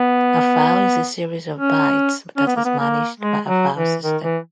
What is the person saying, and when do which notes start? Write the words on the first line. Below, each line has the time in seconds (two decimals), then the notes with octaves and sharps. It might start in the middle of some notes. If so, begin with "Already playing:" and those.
A file is a series of bytes that is managed by a file system.
Already playing: B3
1.55 C#4
2.37 C#4
2.47 B3
2.57 A#3
2.65 B3
2.79 A#3
3.20 G#3
3.48 F#3
3.76 E3
4.03 D#3
4.24 E3